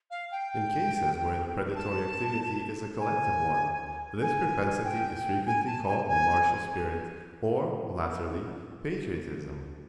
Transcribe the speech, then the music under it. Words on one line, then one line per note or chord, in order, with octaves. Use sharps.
In cases where the predatory activity is a collective one, this propensity is frequently called the martial spirit, or, latterly, patriotism.
F5
G5
A5
G#5
G#5
G5
G#5
A5
G#5
G#5